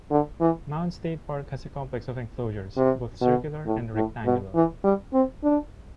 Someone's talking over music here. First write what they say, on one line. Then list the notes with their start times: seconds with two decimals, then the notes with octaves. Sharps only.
Mounds State Park has a complex of enclosures, both circular and rectangular.
0.11 D3
0.40 E3
2.77 C3
3.21 B2
3.66 A2
3.95 A2
4.25 B2
4.55 E3
4.84 G3
5.14 C4
5.43 D4